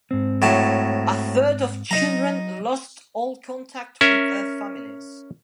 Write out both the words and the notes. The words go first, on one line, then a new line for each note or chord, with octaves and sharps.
A third of children lost all contact with their families.
G#2 C4
A2 F#3 A5
F#3 D#4 D#5 A#5
C#4 A#4 E5